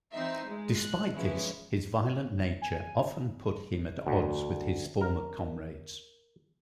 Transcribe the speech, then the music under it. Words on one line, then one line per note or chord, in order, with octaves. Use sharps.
Despite this, his violent nature often put him at odds with his former comrades.
E3 C4 D#4 E5 C7
G#3
F#6
E3 F3 G#3 B3 C#4 E4
G#5
D2
A#4